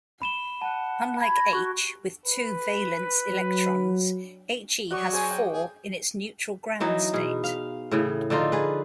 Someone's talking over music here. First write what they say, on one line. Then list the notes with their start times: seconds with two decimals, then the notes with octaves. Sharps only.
Unlike H, with two valence electrons, He has four in its neutral ground state.
0.22 B5 E7 G7
0.62 F#5 A5
1.21 B5 G#6
1.37 A#6
1.53 F#4 C#6
2.26 B4
3.32 F#3
4.91 F#3 F#4 D5 C#6 D#6
5.13 G#4 C5 G#5
5.31 G5
5.53 G#4
6.80 E3 F#3 D#4
7.13 B2 G#4
7.44 F5
7.91 A2 C#3 E3
8.30 D3 F3 D#4 F4
8.52 G#4 B4